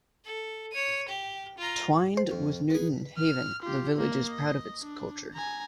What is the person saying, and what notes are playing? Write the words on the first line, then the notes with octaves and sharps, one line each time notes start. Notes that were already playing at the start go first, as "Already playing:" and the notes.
Twinned with Newton Haven the village is proud of its culture.
A4
C#5 D#7
G4
F4 A#5
C5
F2
B3 G#4
F6
F4 G4
A#3
D#5
D4
G#5 A#5